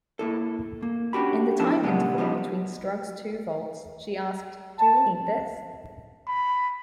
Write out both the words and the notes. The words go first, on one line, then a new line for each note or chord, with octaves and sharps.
In the time interval between Strug's two vaults, she asked, Do we need this?
A#3 E4 A4
A#3
C#4 D4 F#4 G4 B5
F3 B3 D4 E4 A4
A#2 C#3 G3 G#3 B3
F3 G3 B3 D#4
A5
B5